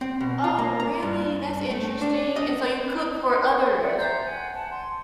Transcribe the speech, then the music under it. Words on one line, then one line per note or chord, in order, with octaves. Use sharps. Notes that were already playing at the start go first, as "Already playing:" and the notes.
Oh, really? That's interesting, and so you cook for others.
C4
B2
F4
A#3
A#5
G2
A3
D4
D#5
D5 E5 F#5 G5
C5 E5 A#5 G6
F#5 G#5
F#5 A5
C6